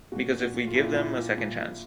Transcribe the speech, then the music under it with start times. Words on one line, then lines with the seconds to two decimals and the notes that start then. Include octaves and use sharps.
Because if we give them a second chance.
0.12 A#2 F#4
0.32 A#2
0.41 F#4
0.54 A#2
0.67 F4
0.74 A#2 E4
0.83 F4
0.95 A#2 E4
1.17 A#2
1.38 A#2
1.59 A#2